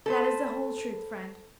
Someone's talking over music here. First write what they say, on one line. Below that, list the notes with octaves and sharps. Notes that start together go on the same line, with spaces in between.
That is the whole truth, friend.
A4 B4 C5